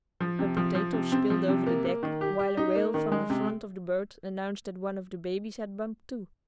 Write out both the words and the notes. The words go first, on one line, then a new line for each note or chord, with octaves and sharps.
Her potatoes spilled over the deck, while a wail from the front of the boat announced that one of the babies had bumped, too.
F3
C3
F3
F3
C3
C4
F3
C3
A#3
A#3
D#3
G4
G4
D#4
A#3
D#3
G#3
C3